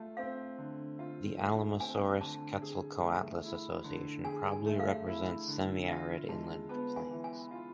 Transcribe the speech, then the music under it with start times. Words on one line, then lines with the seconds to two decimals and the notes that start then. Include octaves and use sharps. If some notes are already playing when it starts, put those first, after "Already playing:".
The "Alamosaurus"-"Quetzalcoatlus" association probably represents semi-arid inland plains.
Already playing: A3 F4
0.17 C4 F5
0.58 D3
0.99 F4
1.40 A3
1.80 C4 G#5
2.21 D3 A5
2.62 G#4
3.03 A3
3.44 E4
3.84 D3
4.25 G#4 G#5
4.52 G#5
4.66 A3
4.80 F5
5.07 E4
5.48 D3
5.88 F4 E5
6.29 G#3 A5
6.69 B3 A5
6.96 G#5
7.10 E3
7.24 G#5
7.51 F4